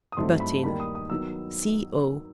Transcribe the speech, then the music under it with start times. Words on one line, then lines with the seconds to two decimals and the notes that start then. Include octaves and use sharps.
Butt in. C.o.
0.12 D#6
0.17 G2 F#3 A3 C4 D#4 C6
0.40 B5
0.64 D#2 D#3 G3 B5
0.80 D#6
0.95 D#6
1.10 D#3 F#3 B3 D#4 E6